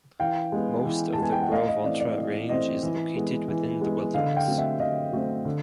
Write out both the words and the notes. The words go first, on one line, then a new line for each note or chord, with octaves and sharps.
Most of the Gros Ventre Range is located within the wilderness.
E3 F5 G5
G#3 B3
E3
A5
G#3 B3 G#5
G5
F#5
A2 D#5 F5
D#5
E3 A3 C4 D5
D5
A2 D#5
E3 A3 C4 D#5
E3
G#3 B3
E3
G#3 B3
D3 D#5 F5
F5 G5
F#3 A3 C4
E5 F#5
D3 D#5 F5
F#3 A3 C4
D3